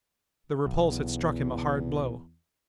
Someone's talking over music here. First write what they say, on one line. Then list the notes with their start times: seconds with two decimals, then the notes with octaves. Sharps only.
The repulse had struck him a hard blow.
0.66 B1
0.92 E2